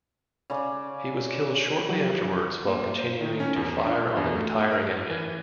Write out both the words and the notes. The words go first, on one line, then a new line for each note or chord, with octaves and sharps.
He was killed shortly afterwards while continuing to fire on the retiring enemy.
C#3 D5
F3 F#3 F#4 G4
A#3
C5
D#3
C#4
E2
D4
E2
A3
A#4
E3